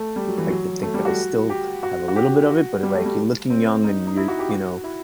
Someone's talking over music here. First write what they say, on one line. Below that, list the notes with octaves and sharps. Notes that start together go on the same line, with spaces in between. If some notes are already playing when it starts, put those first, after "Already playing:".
like to think that I still have a little bit of it, but, like, you're looking young and you're, you know,
Already playing: A3
G3
F#3
E3
F#3
A3
G3
F#4
G4
F#4
F#4
G4
F#4
G3
A3
G3
C4
D#4
D#4
E4
F#4
G4
F#4
E4